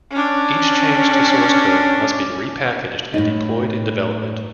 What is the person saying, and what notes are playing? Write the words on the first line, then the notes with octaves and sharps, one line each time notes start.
Each change to source code must be repackaged and deployed in development.
C#4 D4
A2 D#4